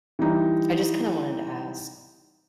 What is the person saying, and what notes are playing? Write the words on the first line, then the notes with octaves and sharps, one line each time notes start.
...I just kinda wanted to ask
E3 G3 D#4